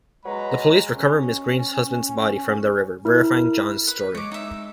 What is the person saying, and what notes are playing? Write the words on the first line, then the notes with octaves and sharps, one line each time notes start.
The police recover Mrs. Green's husband's body from the river, verifying John's story.
F#3 G#3 B4 A#5
C#4
E4 A#4
B4
G#3 C#5 D6
D#4 E5